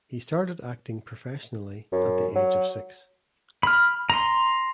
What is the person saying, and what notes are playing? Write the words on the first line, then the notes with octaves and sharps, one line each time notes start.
He started acting professionally at the age of six.
F#2
F#3
B5 F6
A#5 C6